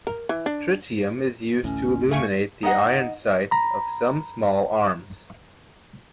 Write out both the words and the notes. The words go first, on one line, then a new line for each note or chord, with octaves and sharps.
Tritium is used to illuminate the iron sights of some small arms.
A#4
E3
D4
A1 D2 A2 C#4
A3 F5 G#5 C#6
D#4 D#5 F#5
A#5 B5